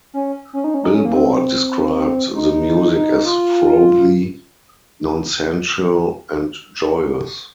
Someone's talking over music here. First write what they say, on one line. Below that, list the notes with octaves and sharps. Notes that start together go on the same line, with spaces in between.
"Billboard" described the music as frothy, nonsensical and joyous.
C#4
C#4
D#4
C#4
D#4
C#4
A#3
C4
D#4
D#4
F4